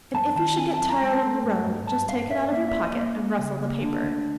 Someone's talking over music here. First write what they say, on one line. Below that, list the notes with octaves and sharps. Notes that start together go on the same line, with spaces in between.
'And if you should get tired on the road, just take it out of your pocket and rustle the paper.'
F#2 A5
D#3 A5
C4 G#5
A5
F#2
A#5
G#3
A5
A3
G2
G2
G2 A5
G2 F5
G2 E5
A#3 E5
C#4 E5
D#5
A#3
D#5
C#4
C#3
A#3
D3
D2